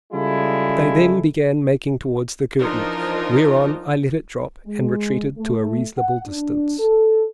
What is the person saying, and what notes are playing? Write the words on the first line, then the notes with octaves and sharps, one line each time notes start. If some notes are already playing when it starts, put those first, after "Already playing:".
They then began making towards the curtain; whereon I let it drop and retreated to a reasonable distance.
C#3 G3 G#3 E4 F4 A4
E3 F3 D4 D#4 F4 A#4
G#3
A3
F#5
D4
A4